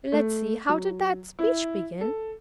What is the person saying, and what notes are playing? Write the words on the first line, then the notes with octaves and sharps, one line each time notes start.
Let's see--how did that speech begin?
A3
F#3
E4
A4